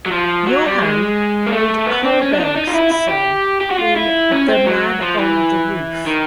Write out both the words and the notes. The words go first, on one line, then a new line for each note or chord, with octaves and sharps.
Johan played Kollberg's son in "The Man on the Roof".
F#3
F3
F#3
G3
G#3
A#3
A3
B3
C4
C#4
D4
D#4
D4
D#4
F4
E4
E4
G4
G4
F#4
F4
E4
C#4
C4
F#3
F3
E3
D#3